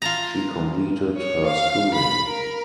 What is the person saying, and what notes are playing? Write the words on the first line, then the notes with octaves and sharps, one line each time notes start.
She completed her schooling.
F4 A5 A#5
C#5
F5
B5
A#4